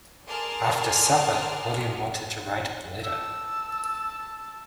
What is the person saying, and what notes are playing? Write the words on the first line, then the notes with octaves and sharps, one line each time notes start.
After supper William wanted to write a letter.
G#4 A#4 D5 A5 C6 F6
A5 E6